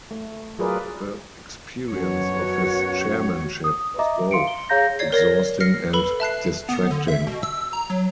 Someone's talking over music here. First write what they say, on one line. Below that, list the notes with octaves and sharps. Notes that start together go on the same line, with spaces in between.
The experience of his chairmanship was both exhausting and distracting.
A3
F#3 F4 G#4 A#4 B4 D5
F#2 B2 F#3 F#4 C#5
D#6
D#5 E5 A#5 D6
F5 C6 C#7 D7
G7
G#4 C#5 F5 A#5 G6 A#6
C#5 D5 G#6 C7
A#4 C#5 A6 A#6
F6 A#6 C7 C#7
A4 B4 B5 G7
E5 A5 F#6 C7
B3
D3
E5
B2
E6
A#5
F#3